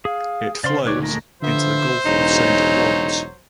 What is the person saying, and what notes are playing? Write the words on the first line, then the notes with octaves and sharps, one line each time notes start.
It flows into the Gulf of Saint Lawrence.
G#4 F5
C#3 C5 D5 F5 C6
D2 A#2 D#4 B4 C#5 D5
G#3 A3 A#4
D3 F3 B3 C5 E5
E1 C#3 F#3 D#4